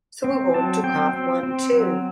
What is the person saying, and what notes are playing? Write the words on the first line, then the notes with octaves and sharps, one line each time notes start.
So we want to have one, too.
C4
F#3 A5
C4 G5
C4
C4
F#3